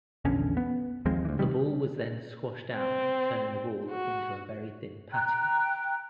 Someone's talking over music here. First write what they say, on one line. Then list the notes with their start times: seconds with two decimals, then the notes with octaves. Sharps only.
The ball was then squashed down, turning the ball into a very thin patty.
0.25 A#1 E2 D3 C#4
0.57 B3
1.05 D#2 F3 G#3 C4
1.25 D2 E3
1.39 C3 D#3 G3
2.73 C4
3.90 F#4
5.12 G5 A#5 F#6